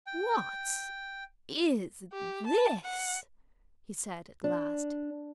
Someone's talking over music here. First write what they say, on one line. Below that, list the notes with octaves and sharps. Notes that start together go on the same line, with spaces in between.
'What--is--this?' he said at last.
G5
G4
A5
F#5
D4